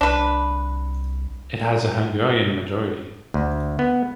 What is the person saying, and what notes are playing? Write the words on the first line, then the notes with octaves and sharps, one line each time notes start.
It has a Hungarian majority.
C2 D4 B4
D2
B3